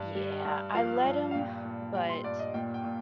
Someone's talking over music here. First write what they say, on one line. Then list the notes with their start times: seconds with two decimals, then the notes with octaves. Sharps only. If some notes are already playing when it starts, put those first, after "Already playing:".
Yeah, I let him, but
Already playing: G2
0.15 G3
0.45 G2
0.75 F3 F5
1.05 G2
1.31 F5
1.35 A#2 G5
1.65 A#2
1.95 G3 G5
2.09 C6
2.24 G2 D5
2.39 D#5
2.54 A#2 G5
2.74 G5
2.84 A#2